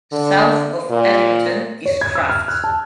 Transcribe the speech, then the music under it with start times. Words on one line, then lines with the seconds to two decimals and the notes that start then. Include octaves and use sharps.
South of Eddington is Krafft.
0.12 D3
0.90 A#2
1.86 C#5
2.01 G#6
2.15 E6
2.30 F6
2.48 F#6
2.64 A5